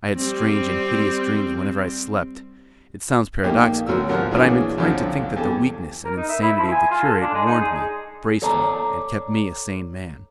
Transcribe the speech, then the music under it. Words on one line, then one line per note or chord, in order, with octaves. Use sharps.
I had strange and hideous dreams whenever I slept. It sounds paradoxical, but I am inclined to think that the weakness and insanity of the curate warned me, braced me, and kept me a sane man.
G3 C4
A#1 A#3 D#4 G4
D2 F#3 F#4 A#4 E6
G#1 C3 F3 F4 A#4 F#5
A#1 E3 C#4 D4 F#4 G#4
C2 F2 D3 F3 F#3
E2 G4 A4
A#4
D#4
E5
E4
F3
G#5
F4
A4
D4
G#3
D#4
G#4
A4 C#5 D5 A5 A#5